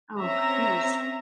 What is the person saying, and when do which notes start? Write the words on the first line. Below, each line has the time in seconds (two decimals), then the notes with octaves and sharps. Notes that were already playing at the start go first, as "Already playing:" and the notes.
Oh, he was
0.19 C4 C#4 E5 A#5